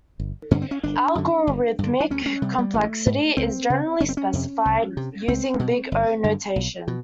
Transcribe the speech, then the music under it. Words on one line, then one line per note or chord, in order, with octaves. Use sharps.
Algorithmic complexity is generally specified using Big O Notation.
G1
G2 D3 C#4
C4
C#4
G1 D4
F#2 D3
G1
G2 D3
D4
D2 C#4
C#4
C3 G3
G3
A1 A3
G#2
C#2 C4
C#3
F#1 C#4
C4
C#4
F2 C3
C2
C3
C#2 C4
B2
G1
G2 D3
B1
B2